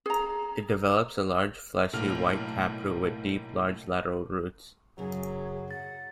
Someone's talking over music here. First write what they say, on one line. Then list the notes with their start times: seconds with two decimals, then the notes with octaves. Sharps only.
It develops a large, fleshy, white taproot with deep large lateral roots.
0.06 G#4 A#5
1.93 B1 A2 A#3 F6 F7
4.98 F#2 C#3 F#3 G#4
5.71 F#5 A6